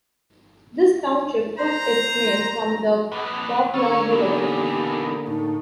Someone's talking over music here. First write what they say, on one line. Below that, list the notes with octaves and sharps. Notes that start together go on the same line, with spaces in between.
This township took its name from the Poplar River.
C5 A#5
F2 A#2 B4 F#5
D3 A#3 C#4 F4 C#5 C#6 E6
A#2 E3 B3 D#4 G4 A#4
A2 D#4